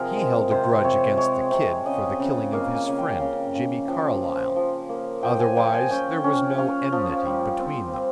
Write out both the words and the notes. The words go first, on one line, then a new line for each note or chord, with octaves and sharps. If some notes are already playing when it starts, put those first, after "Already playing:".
He held a grudge against the "Kid" for the killing of his friend, Jimmie Carlyle, otherwise there was no enmity between them.
Already playing: C3 F3 G#4 A#4
G#3
C3 C5
C3 C#5
G#3 C#5
C3
C#3 D#5
C#3
A#3 F5
G#5
C#3
G5
C#3 F5 G5
C#3
F3 G5
F3
F3
A#3
F3 G5
G#5
F3 G5
G#5
C#4 G5
C#4
C#4 F5
F3
G3
C4
C4